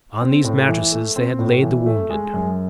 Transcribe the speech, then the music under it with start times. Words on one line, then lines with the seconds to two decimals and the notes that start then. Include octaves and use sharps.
On these mattresses they had laid the wounded.
0.21 C4
0.44 A2
0.68 E3
0.91 A3
1.16 C4
1.39 A2
1.62 E3
1.86 A3
2.10 G#3
2.33 F#2